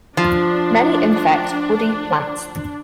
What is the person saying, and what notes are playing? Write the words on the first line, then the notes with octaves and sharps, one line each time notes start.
Many infect woody plants.
F3 D4 F4